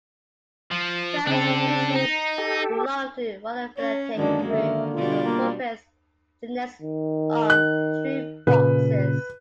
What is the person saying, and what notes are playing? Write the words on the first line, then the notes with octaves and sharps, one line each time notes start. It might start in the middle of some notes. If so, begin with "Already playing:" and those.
Twelve species belong to the monophyletic group of "Vulpes" genus of "true foxes".
F3
C#3 C4 D4 A4
D#4
G4 A4
C#4 C#5
F#2 D3 D#3 G#3 A#3 D4
D3 D#3 E5
B2 G3 D4 F4
A#3
D#3
F#6
A#2 C#3 B4